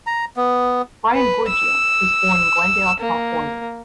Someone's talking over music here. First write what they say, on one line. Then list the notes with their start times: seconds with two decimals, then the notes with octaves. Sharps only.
Brian Goorjian was born in Glendale, California.
0.07 A#5
0.37 B3
1.14 B4
1.49 E6
3.00 A#3